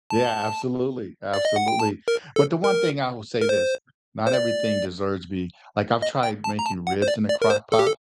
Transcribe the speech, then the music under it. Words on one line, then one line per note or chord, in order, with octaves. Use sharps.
Yeah, absolutely, absolutely. But the one thing I will say this, not everything deserves to be like, I've tried making ribs in a Crock Pot.
A5
D5
D#5
F#5
G5
A5
A#4
A4
A#4
A#4
C5
C5
D5
D#5
G5
A5
A#5
A5
F#5
C5
D5
D5
A#4
C5
A4
G4
A4